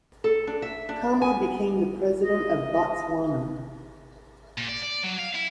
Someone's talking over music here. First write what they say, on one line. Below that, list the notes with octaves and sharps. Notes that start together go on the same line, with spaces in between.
Khama became the president of Botswana.
A4
D4
E5
D4
G#5
D#5
A#2
D5
D5
F#3
F5
E4